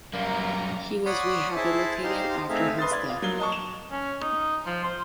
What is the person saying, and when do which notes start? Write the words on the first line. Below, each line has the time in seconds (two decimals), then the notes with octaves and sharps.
He was rehabilitated after his death.
0.13 F#2 G3 A#3 F5 A#5
1.06 C#5 D5 F#5 B5 C6 D#6
1.56 E4 G#4 C5 E5 A5
2.03 D#4 G4 C5 F5 C6
2.49 A3 C4 D#4 G#4 E5 F5
2.79 B4 C6 D#6 A6
2.91 D5 G#6
3.09 F4
3.22 F#3 A#3 G#6 G7
3.39 D#5 A5 C#6
3.52 E7
3.91 C#4
4.22 D#4
4.66 F3
4.84 C5